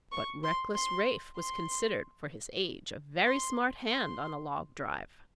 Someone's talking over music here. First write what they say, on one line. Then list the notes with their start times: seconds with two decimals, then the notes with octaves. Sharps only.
But reckless Rafe was considered, for his age, a very smart hand on a log drive.
0.12 C#6
0.43 C6
0.74 C6
1.37 C6
3.26 C6
3.89 C6